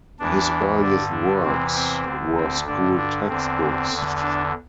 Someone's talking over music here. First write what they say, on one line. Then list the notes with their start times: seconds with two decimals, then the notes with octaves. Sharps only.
His earliest works were school textbooks.
0.20 E2 E3 D4
0.81 G2 D3 D4
1.11 D4
1.42 E2 C3 E3 C4
1.74 C4
2.05 D2 D3
2.36 C4
2.67 G2 D3 D4
2.98 D4
3.28 E2 D3 C4
3.91 E2 D3
4.21 D4